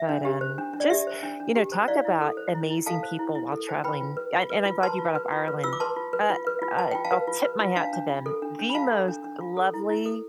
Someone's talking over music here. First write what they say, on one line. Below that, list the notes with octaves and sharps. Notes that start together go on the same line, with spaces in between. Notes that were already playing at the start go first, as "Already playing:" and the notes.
But, um, just, you know, talk about amazing people while traveling. I and I'm glad you brought up Ireland. Uh, uh, I'll tip my hat to them. The most lovely,
Already playing: E5
D4
G4
C5
D4
D4
D5
G4 E5
C5
D4
D4
G4
C5
E4 D5 F5
E4
A4
C5
E4
E4
A4 F5 A5
C5
E4
E4
A4
C5
B4 G5 B5
F4
B4
F4
B4
F4
B4 A5 C6
F4
B4
F4
B4
F4 E6
D6
B4 A5 C6
F4
B4
F4
B4
F4
B4 A5
F4 G5
F5 A5
B4
F4
B4
F4
D4 F5 A5
D4
F4
A4
D4
D4
B5
F4 F5 A5
A4
D4
D4
F4
A4
E4
E4
A4